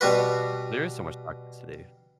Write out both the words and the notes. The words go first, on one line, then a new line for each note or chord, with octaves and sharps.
There is so much toxicity,
B2 G3 F#4 B4